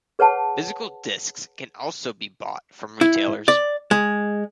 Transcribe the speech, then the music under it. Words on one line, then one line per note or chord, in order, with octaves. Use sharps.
Physical disks can also be bought from retailers.
G#4 B4 C#5 F#5 A5
E4
D5
G#3